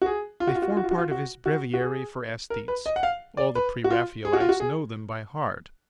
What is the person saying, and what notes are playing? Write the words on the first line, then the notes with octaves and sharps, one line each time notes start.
They form part of his "Breviary for Aesthetes"; all the Pre-Raphaelites know them by heart.
F#4
G#4
F4
F#4
F4
F#4
F4
F#4
F4
F#4
F4
F#4
F#4
F#4
G#4
A#4
B4
D#5
F#5
F5
D5
B4
F#4
F4
G#4
F#4
F4
F#4
G#4